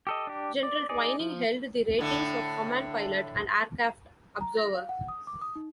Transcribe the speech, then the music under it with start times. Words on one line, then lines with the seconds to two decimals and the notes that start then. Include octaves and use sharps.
General Twining held the ratings of Command Pilot and Aircraft Observer.
0.07 G4 A4 D#5
0.27 D4 G4
0.63 D5
0.89 D#4 G#4 D5
1.20 F3
1.99 A2 D3 A3
4.41 A#5
4.57 A#6
4.75 F5
4.89 F#5
5.08 D#6
5.27 D6
5.42 D#6
5.56 D#4